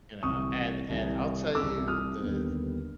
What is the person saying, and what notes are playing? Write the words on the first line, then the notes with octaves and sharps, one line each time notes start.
you know, and and I'll tell you the
C2 C3 E3 C#6 D#6
C2 C3 E3
C2 C3 E3 D6 E6
D#6 F6
D#2 D3 G3 B3